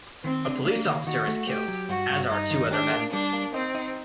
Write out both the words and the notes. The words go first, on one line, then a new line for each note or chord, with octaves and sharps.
A police officer is killed, as are two other men.
D#3 C4
D4
A#3 D4
D#3
D#3 F#4
A3
A3 G4
F#3
G2 F#4
G2
G2 D#4
D#3
D4 G4
A#3
G3 D4
A#3
C4 D#4
D#4